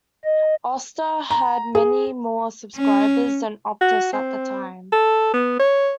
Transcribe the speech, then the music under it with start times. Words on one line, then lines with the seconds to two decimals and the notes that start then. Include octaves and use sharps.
Austar had many more subscribers than Optus at the time.
0.24 D#5
1.31 A#5
1.75 G#4
2.76 C#4
3.81 F#4
4.13 C4
4.92 A4
5.34 B3
5.59 C#5